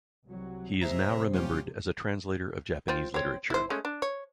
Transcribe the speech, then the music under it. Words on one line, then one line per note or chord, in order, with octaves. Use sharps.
He is now remembered as a translator of Japanese literature.
C2 F#3
F2 C3 G#3 C5 E5 A#5
F#3 A3 C#4 F4 G4
F4 C5 G5
C4 C#5
E4 C5
G#3 A3 C#4
D4
C#5